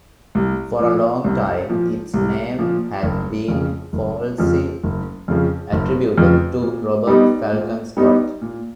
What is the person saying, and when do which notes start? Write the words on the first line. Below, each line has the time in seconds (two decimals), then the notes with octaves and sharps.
For a long time, its name had been falsely attributed to Robert Falcon Scott.
0.35 C2
0.79 A#2 F3
1.24 C2
1.69 A#2 F3
2.14 C2
2.59 A#2 F3
3.03 F#1
3.48 F2 C#3 F3
3.93 F#1
4.38 F2 C#3 F3
4.84 F#1
5.28 F2 C#3 F3
5.73 F#1
6.18 F2 C#3 F3
6.62 A#2
7.07 G3 B3 D#4
7.52 A#2
7.97 G3 B3 D#4
8.42 A#2